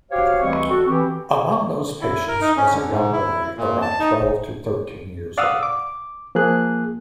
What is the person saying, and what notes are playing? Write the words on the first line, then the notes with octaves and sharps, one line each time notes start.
Among those patients was a young boy around twelve to thirteen years-old.
F#4 G4 C5 C#5 F5
D2 E3 G3 C4 D#5 C#6
F#4 A4
E3 C4 G4
E4
A#4
D#4
C#4
D3
G#2
E4
A#2
A5
D#4
D5 F5 F#5 D#6 E6
D6
F3 A#3 G#4 F#6